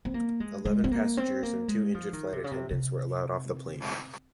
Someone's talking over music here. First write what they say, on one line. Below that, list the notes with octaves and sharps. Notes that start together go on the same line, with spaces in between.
Eleven passengers and two injured flight attendants were allowed off the plane.
C4
A#3
G#3
G#3
C4
A#3
C4
A#3
G#3
F3
D#3
C3
C#3
C3
C3